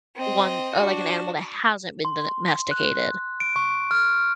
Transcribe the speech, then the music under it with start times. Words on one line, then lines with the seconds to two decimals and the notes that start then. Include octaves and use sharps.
one or like an animal that hasn't been do domesticated.
0.16 C4 D#5
0.74 D4 F#4
2.05 C6
2.71 F#6
3.40 D7
3.56 C#6
3.91 F6